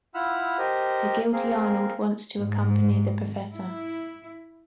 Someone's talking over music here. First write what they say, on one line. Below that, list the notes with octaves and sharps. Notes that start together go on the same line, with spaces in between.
The guilty Arnold wants to accompany the professor.
E4 F4 F#5 B5 E6 F6
G4 A#4 C5 D#5
A#3 C4 G#4 A#4 F5
G#2
E4